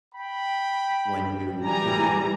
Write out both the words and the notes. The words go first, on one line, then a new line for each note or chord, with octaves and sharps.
when you when you
G5 B5
E3 G3 G#5 A#5